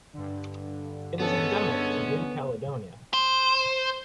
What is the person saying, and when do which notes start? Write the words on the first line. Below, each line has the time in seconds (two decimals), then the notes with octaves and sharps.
It is endemic to New Caledonia.
0.13 G2 D3
1.20 G#3 B3 C#4 A4
3.14 C5